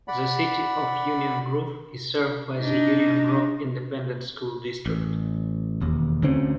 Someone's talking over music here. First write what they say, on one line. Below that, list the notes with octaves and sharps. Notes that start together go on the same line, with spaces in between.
The City of Union Grove is served by the Union Grove Independent School District.
D5 F#5 B5
D4 D#4
A1
E1 D#2
D2 D3 C4 C#4